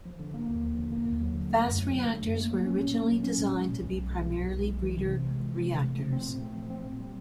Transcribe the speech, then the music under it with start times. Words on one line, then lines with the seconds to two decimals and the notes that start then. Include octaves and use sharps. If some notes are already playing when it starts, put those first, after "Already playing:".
Fast reactors were originally designed to be primarily breeder reactors.
0.05 F3
0.19 D3
0.34 A#3
0.49 D#2
0.63 F3
0.78 D3
0.92 A#3
1.06 D#2
1.22 F#3
1.35 D3
1.50 A3
1.65 F#2
1.78 F#3
1.93 D3
2.08 A3
2.22 F#2
2.37 A#3
2.51 F#3
2.65 C#4
2.80 A#2
2.95 A#3
3.08 F#3
3.23 C#4
3.38 A#2
3.53 G#3
3.67 B2
3.81 B1
3.96 B1
4.11 G#3
4.25 B2
4.39 B1
4.53 B1
4.68 G#3
4.82 E3
4.97 C3
5.11 C3
5.26 G#3
5.40 E3
5.55 C3
5.69 C3
5.84 A3
5.98 F3
6.13 C4
6.28 A#2
6.41 A3
6.56 F3
6.70 C4
6.85 A#2
7.00 G3